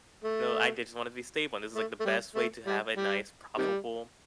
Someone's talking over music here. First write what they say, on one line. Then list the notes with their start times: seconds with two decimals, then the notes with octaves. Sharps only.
No, I did just want to be stable and this is, like, the best way to have a nice profitable
0.24 A3
1.75 A3
2.00 A3
2.05 G3
2.36 A3
2.67 G3
2.97 G3
3.58 C3 D#3 G3